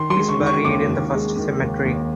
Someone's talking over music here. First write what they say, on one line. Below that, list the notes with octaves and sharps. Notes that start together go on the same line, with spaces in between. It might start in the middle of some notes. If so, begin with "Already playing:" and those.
He is buried in the First Cemetery.
Already playing: D#3 C6
C6
G#3
C#6
D#3
C#6
D#2 D6
D#2
G#3
D#3
D#2
D#2